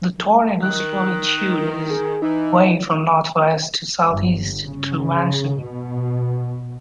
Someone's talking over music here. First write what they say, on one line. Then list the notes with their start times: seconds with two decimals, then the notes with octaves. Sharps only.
The tornado slowly chewed its way from northwest to southeast through Manson.
0.62 D#3 F#6
1.90 G#4
2.22 E3 D#4
4.07 G1
4.63 C#3
5.62 B2